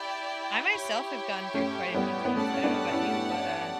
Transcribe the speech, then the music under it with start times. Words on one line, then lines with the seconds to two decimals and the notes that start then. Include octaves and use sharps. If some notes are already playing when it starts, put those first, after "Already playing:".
I myself have gone through quite a few dreams, I don't know about you, but, uh,
Already playing: E4 G4 D5 G5
0.71 E4 G4 C#5 G5
1.54 A3 C#4
1.94 G3 B3
2.25 B3
2.36 A3 C#4 G4 D5 F#5 A5
2.53 C#4
2.63 B3 D4
2.91 C#4 E4